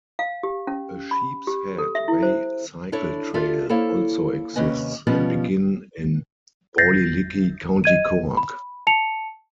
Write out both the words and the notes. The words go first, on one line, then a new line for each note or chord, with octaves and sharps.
A Sheep's Head Way cycle trail also exists, and begins in Ballylickey, County Cork.
F5
G4
C#4
B5
G4
A4
E5
E4
C5
D4 E4 A4 C#5
F4 G4 A4 D5 E5
A#3 E4 A4 C5 C#5 F5
D#2 C3 C#4 B4 D#5 G#5
B2 F3 G3 B3 C#4
G6 A6 A#6 C7
D#5 G#6 D#7
B5
A5 C#7 F7